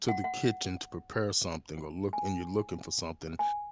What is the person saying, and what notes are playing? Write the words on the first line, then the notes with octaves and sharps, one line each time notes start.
to the kitchen to prepare something or look and you're looking for something,
F#5
F#5
G#5
G#5